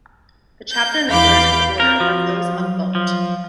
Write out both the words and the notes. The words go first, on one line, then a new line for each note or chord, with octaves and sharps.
The chapter numbers and order are those of Botte.
G6
E2 E3 F5 B5 D6 G6
C4 A#4
F3 F#4
F#3
F3